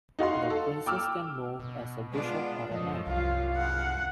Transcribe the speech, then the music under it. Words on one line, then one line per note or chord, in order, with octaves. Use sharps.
The princess can move as a bishop or a knight.
D#4 F#4 F5 C6
A4
G5 D6 E6 F6
B2
G#3 B3 D4 F4
F#2 F3 A4 D#5
C2 F4 F5
G#4 A#4 F5 F#5